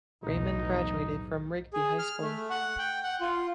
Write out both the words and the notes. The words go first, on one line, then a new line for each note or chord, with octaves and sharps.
Raymond graduated from Rigby High School.
B1 E2 A2 D#4
G#4
F6
A3
F#5
G5
F#5
F4